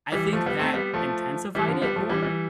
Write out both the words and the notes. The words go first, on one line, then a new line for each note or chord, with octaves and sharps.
I think that intensified it more,
E3 G3
F3 A3
G3 B3
A3 C4
G3 B3
F3 A3
E3 G3
D3 F3
G3 B3
F3 A3
E3 G3
E3 G3